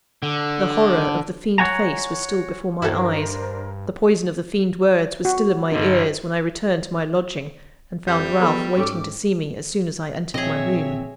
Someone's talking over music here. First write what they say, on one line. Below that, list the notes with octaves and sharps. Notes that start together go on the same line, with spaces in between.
The horror of the fiend-face was still before my eyes, the poison of the fiend-words was still in my ears, when I returned to my lodging, and found Ralph waiting to see me as soon as I entered my room.
D3
C#5 F#5 G#5 A#5
G2 D4 E4 F#4 A4 A#4 C5
F#4
G2 D3 D#4
F2 G3 C5 G6
F3 B3 G#4 A4 B5
G#2 C#4 A4 G5 D6
A1 A#2 F3 C4 G#4 C#5 D#5 E5